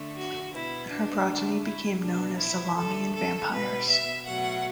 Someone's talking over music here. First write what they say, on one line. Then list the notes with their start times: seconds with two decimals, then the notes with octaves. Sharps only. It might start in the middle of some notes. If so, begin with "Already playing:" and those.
Her progeny became known as the Lahmian vampires.
Already playing: D3 A3
0.15 F#4
0.52 B2 B3 E4
0.90 D4
1.28 D3 A3
1.65 E4
2.02 B2 B3 D4
2.39 E4
2.77 D3 A3 A4
3.15 A4
3.52 B2 B3 B4
3.89 E5
4.26 B2 F#3 A3 F#5